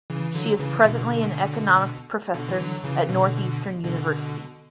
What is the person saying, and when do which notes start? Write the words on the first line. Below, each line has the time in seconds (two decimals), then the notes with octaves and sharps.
She is presently an economics professor at Northeastern University.
0.10 C#3 E3
0.34 D3 F#3
0.59 C#3 E3
0.85 B2 D3
2.34 B2 D3
2.48 E3
2.59 D3 F#3
2.84 C#3 E3
3.09 B2 D3
3.84 B2 D3